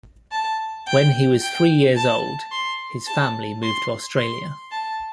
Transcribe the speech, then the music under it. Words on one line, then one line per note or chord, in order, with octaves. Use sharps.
When he was three years old, his family moved to Australia.
A5
G5
G5
A5
C6
A5
C6
C6
A5